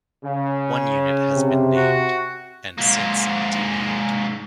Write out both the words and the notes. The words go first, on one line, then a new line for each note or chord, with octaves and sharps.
One unit has been named - and since denamed.
C#3
C3
F#4
G#2 A#3